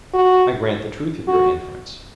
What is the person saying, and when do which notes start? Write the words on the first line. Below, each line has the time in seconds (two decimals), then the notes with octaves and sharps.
I grant the truth of your inference.
0.14 F#4
1.27 F#4